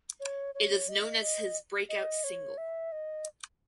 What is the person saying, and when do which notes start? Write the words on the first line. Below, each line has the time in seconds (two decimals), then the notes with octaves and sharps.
It is known as his breakout single.
0.20 C#5
0.55 C#5
0.89 D#5
1.22 D#5
1.89 D#5
2.24 C#5
2.58 E5
2.92 D#5